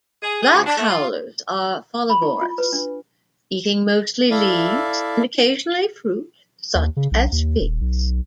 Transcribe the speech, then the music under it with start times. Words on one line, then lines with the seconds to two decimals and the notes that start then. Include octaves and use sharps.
Black howlers are folivorous, eating mostly leaves, and occasionally fruit, such as figs.
0.21 G#4
0.42 G#4
0.55 D2
0.66 D4
0.77 A3
0.90 F4
2.10 B5
2.22 E4
2.41 F4
2.58 B4
2.73 D4
4.31 E4 A4 D5 E5 F5
6.75 D#2
6.97 C#3
7.11 B1
7.32 D#2
7.61 D#1
7.81 B1